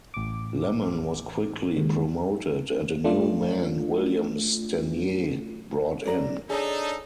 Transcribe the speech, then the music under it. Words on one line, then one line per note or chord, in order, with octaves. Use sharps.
Lemon was quickly promoted and a new man William Stanier brought in.
A1 D6
D#2 G#2
A3 D4 F4
C#4 D5 A#5
D4 D#4 G#4 A4 C#5